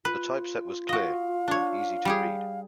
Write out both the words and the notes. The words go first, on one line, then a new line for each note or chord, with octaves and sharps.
The typeset was clear and easy to read.
F4 B4
F#4 D#5 F5
D4 C#5
G3 G4 G#4